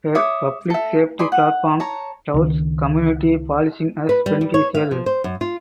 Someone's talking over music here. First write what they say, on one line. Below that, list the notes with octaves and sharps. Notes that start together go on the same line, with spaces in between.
Her public safety platform touts community policing as beneficial.
C#5 E5 D6 D#6
A4 E5
G#4 D5 B5 C6
F#5
C#5 A5 A#5
C#2 D#3
B4
G3
G3
C#5
F5
F3
C5
F#2
F4